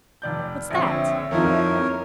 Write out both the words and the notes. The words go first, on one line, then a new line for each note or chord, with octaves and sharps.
"What's that?"
F1 D5 G6
A#1 D3 C4 C#5 E5
F2 F3 D#4 E4 A#4 C#5